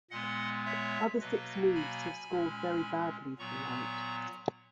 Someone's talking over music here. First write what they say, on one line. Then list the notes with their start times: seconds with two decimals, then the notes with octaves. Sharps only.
Other sixth moves have scored very badly for White.
0.11 A#2 G#3 B3 D#5 F#5
0.65 C#5 E5
1.20 B2 F#3 A#3 B4 D#5
1.75 G#5 B5
2.29 A#2 G#3 C#4
3.39 A#2 F#3 B3 A#5 C#6